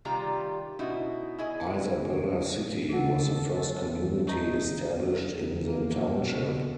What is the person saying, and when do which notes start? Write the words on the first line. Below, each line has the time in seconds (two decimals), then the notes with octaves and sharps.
Isabella City - was the first community established in the township.
0.05 C3 D#3 G3 F4 G4 A#5
0.79 B2 D#4 E4 F#4
1.38 E4 G#4 D#5
2.89 G#4 A4 F#5
4.27 A3 D#4
5.66 A#3
6.06 B2